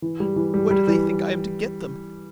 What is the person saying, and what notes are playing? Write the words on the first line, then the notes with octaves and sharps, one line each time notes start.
Where do they think I am to get them?
E3
G3
E3
G3
G3
E3